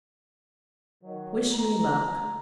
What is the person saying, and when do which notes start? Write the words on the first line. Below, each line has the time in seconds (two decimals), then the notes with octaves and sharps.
Wish me luck.'
1.04 D#3 F#3
1.53 A#5